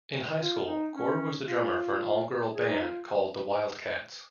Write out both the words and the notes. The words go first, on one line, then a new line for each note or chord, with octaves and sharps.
In high school, Gore was the drummer for an all-girl band called the Wildcats.
F4
D#4
C#4
F4
G#4
D#4
F4